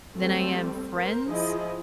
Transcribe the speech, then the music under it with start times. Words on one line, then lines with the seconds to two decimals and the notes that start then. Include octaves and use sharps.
than I am friends
0.16 G3 A3 C4
0.93 A#4 C5
1.27 F3 E4 G#4 D#5